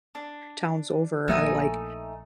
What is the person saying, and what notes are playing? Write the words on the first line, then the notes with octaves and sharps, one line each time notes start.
towns over are, like,
D4
A#1 F3 A3 A#3 D#4 G#5